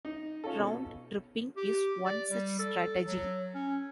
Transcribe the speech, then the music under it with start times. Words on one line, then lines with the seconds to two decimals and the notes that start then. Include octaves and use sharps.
Round-tripping is one such strategy.
0.05 D#4
0.44 C#4 F4 A4
0.59 B2
1.57 G4
2.05 D5
2.30 G3
2.59 A4
3.07 F#3
3.55 C#4